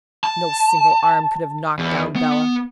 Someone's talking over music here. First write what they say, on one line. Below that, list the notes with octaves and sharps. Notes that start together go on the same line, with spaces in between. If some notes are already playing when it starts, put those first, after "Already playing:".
No single arm could have knocked down Bela.
A5
E2
B3